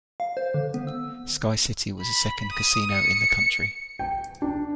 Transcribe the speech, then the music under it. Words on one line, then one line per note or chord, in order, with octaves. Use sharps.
SkyCity was the second casino in the country.
F5
C5
D3
B3
E6
B5
D#6
C#7
G5
D4